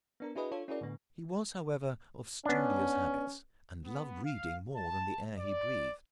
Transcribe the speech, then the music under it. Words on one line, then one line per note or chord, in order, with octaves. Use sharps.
He was, however, of studious habits and loved reading more than the air he breathed.
B3 D4 A#4
D4 E4 F#4 G#4 B4 D#5
D4 F4 A4 C#5
C#4 E4 F#4 G#4 A#4 D5
A2 D3 B3
B3 C#4 D4
B3
F5
A5
D5